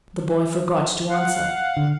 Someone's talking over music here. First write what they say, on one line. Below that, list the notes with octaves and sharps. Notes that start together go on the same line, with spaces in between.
The boy forgot to answer.
F5 F#5
D3